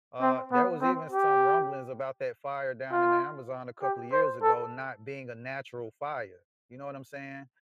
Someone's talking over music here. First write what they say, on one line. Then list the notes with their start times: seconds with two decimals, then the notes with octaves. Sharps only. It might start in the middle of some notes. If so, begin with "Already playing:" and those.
uh, there was even some rumblings about that fire down in the Amazon a couple of years ago not being a natural fire, you know what I'm saying?
0.21 C4
0.52 B3
0.81 C4
1.11 G4
2.92 F4
3.82 G4
4.12 C5
4.43 A4